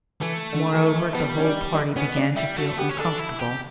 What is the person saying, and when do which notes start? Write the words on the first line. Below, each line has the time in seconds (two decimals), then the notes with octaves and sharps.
Moreover, the whole party began to feel uncomfortable.
0.21 E3 A3
0.52 D3
0.73 E3
0.93 E3
1.13 G3 B3
1.38 C#4
1.44 D4
1.75 D4
1.96 B3 C#4
2.17 D4
2.37 G3 E4
2.57 A3 F#4
2.78 B3 G4
2.90 C#4
2.98 D4 A4
3.18 E4
3.39 G4